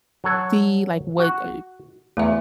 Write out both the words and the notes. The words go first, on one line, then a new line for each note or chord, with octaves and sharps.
see, like, what, uh,
F#3 A4 C#5
F#4
E2 A3 E5